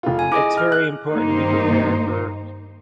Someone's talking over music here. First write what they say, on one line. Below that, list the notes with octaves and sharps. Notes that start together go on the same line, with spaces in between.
it's very important to be prepared for,
F1 F4
G#5
E4 G#4 D#5 D6
F6
F#6
G2 D#3 A#3 D#4 C5